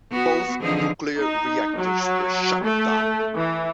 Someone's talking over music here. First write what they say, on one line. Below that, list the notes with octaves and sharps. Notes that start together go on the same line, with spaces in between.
Both nuclear reactors were shut down.
B3 F#4
D3 E3 F3 C4 D#4 G#4
D#4
F#3
A3
E3